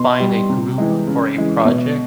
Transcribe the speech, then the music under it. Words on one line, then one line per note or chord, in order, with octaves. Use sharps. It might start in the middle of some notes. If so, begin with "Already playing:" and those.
find a group for a project,
Already playing: B2 C6
G3
C3
E3 G#3
C#3
E3 G#3
B2